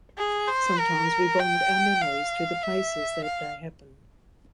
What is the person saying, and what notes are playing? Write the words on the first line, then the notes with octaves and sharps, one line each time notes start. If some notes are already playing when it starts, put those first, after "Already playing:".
Sometimes we bond our memories to the places that they happen.
G#4
C5
A#4
G5
F5
E5
F5